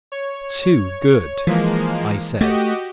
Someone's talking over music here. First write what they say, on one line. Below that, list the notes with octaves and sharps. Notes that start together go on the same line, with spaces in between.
"Too good," I said.
C#5
E3 F3 G#3 A#3
A3 F#4 G4 D#5